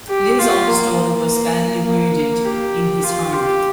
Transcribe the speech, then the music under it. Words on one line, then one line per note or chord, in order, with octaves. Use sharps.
Lin's oldest daughter was badly wounded in his home.
G4
F4
A#3
A#3
G4
F4
G4